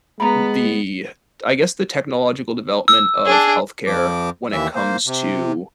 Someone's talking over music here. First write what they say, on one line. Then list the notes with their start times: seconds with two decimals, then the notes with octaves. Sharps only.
the I guess, the technological development of health care when it comes to
0.20 G#3 B3 A#5 B5
2.88 E6
3.26 D4 G#4
3.87 F2 F3 D6
4.52 D#2 E3 E5
4.75 A#3 C5
5.07 C3